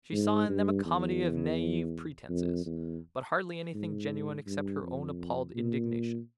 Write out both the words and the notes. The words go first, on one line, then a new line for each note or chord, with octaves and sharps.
She saw in them a comedy of naive pretences, but hardly anything genuine except her own appalled indignation.
G#2
G2
E2
F2
E2
G#2
G2
F2
A#2